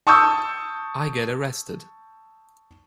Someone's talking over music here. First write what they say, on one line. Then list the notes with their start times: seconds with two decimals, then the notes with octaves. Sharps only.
I get arrested.
0.07 A5 C#6 D#6 E6 G6